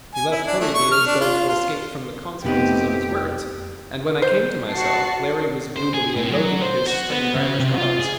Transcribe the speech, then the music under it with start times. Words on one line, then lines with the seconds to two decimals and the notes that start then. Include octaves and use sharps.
He left hurriedly, as though to escape from the consequences of his words, and when I came to myself Larry was gloomily invoking his strange Irish gods.
0.15 G#5
0.31 E4
0.47 D4
0.61 A3
0.75 C#6
0.92 F6
1.07 D4
1.21 F4
1.49 F4
2.44 F2 C3 A3 B3 C4 D#4 G4
4.22 C5
4.70 F#4 A5 C7
5.76 C5
5.94 G#4
6.16 A2
6.30 F#3
6.61 C5
6.86 F#4
7.11 B3
7.36 C#3
7.60 C3
7.78 F4
7.99 G#4